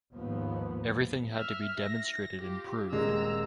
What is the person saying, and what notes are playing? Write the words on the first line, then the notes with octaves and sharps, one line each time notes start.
Everything had to be demonstrated and proved.
D#2 G#2 F3 B3
E5 F6
A#6
F4 G4
D#1 G#3 G4 A#5 E6